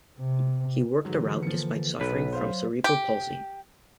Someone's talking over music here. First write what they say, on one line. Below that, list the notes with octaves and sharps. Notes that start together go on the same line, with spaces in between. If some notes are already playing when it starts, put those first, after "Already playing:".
He worked a route despite suffering from cerebral palsy.
C3
G#2 D3 E3 F#3
F3 A#3 C#7
B1 B4 B6
F#3 C5 F5
G4